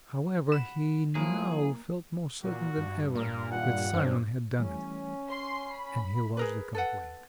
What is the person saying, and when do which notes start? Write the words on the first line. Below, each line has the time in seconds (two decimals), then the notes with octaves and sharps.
However' he now felt more certain than ever that Simon had done it, and he lodged a complaint.
0.52 F#5 B5 E7
1.15 F3 F#3 A#3 E4 G#4
2.44 A#2 F#4
2.78 G2
3.16 A#2 A#4
3.51 D#3 G3 F4 F#5
3.94 F#2 C4 D4
4.59 E3 G3 A3 C#4
5.30 C#5 C6 C7
5.72 B5
6.37 G#4 A#4 B4
6.75 A4 B4 F#5